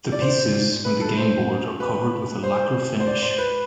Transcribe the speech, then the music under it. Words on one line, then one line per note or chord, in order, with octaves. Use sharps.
The pieces and the game board are covered with a lacquer finish.
D5
C5
B4
A4
C5
B4
C5
C5
D5
C5
B4